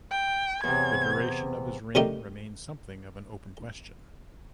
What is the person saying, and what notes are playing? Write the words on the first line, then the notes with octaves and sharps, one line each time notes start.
The duration of his reign remains something of an open question.
G5
E2 C3 G#6
C3 D#3 G3 A3 D#4 G4